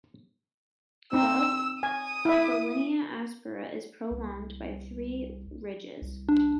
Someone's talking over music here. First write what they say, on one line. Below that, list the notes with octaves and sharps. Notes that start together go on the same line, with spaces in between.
Above, the linea aspera is prolonged by three ridges.
C4 D#4 E6
G#5 D#6
E4 E5
C2
C2
D4